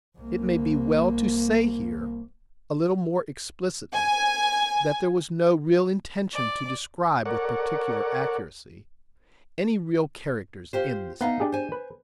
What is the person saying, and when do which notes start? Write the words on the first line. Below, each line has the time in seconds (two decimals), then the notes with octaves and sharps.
It may be well to say here, a little more explicitly, that there was no real intention to describe with particular accuracy any real characters in this book.
0.19 C2 A#3
3.93 G#5
6.33 D5
7.25 A4 A#4 C#5 D5 F#5
10.73 F4 G4 C5
11.21 B3 D#4 E5 F5 A#5
11.40 D4 G4 G#4
11.52 C5 G#5
11.72 B4